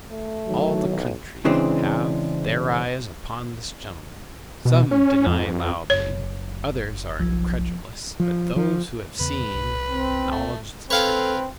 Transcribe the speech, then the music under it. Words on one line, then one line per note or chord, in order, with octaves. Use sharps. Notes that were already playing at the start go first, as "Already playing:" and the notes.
All the country have their eyes upon this gentleman; some deny loudly, others are incredulous; but those who have seen acknowledge the truth.
A3
D#3 E3 F#3
B1
C#3 E3 G#3 C4 D4
B2
C#4
F2
F#1 C#5
B1 F3
F3
F3
E2 C#3 B3 B4
C2
C4
A3
C4 A4 B4 C#5 F5 G5